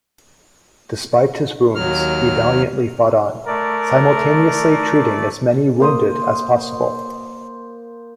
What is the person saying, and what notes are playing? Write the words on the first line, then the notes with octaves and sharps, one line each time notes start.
Despite his wounds, he valiantly fought on, simultaneously treating as many wounded as possible.
D#2 F#3 F6
A3 A#4 D5
A#3 C5 D#6